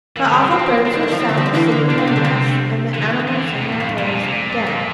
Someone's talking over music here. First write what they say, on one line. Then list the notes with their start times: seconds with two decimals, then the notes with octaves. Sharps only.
But all the birds were sound asleep in their nests and the animals in their holes and dens.
0.16 E3 A#3
0.25 D3 A3
0.33 G3
0.40 D3 F3
0.51 E3 C4
0.59 F3
0.68 A3
0.77 C4
0.85 A3 D4
0.94 G3
1.03 A3
1.12 F3
1.20 E3 C4
1.29 D3
1.37 G3
1.46 F3
1.55 E3 A#3
1.72 D3
1.89 C3 D4
1.98 A#2 C4
2.07 C3 D4
2.16 D3
2.24 C3 C4
2.36 C4
2.47 A3
2.94 D3 E3
3.02 C3
3.10 A#2
3.20 F2
3.27 E2 E3
3.36 D3
3.45 E3
3.54 C3
3.62 F2 A2
3.72 E2
3.80 F2
3.89 G2
3.98 F2 A#2
4.06 C3
4.15 A#2
4.23 C3
4.32 A#2
4.67 F2